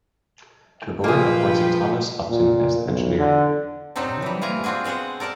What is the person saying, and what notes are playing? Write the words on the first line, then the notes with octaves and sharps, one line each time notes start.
The Board appointed Thomas Upton as the engineer.
A#2 F3 A#3 F4 G#4 B4 G5
A#2
B1
D3
C3 F#3 C4 D4 D#4 A4
E3 G3
E3 F4 G#5 A#5
C4 D4 F4 F#4 G#4
B2 G#3 C4 G#4 F#5
A4 A#4 D5 A5